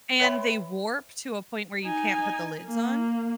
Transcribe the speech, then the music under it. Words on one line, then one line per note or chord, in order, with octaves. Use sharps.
and, they warp to a point where you can't put the lids on.
B4 C#5 E5 G5 B5 C6
D#4 G#5
A#3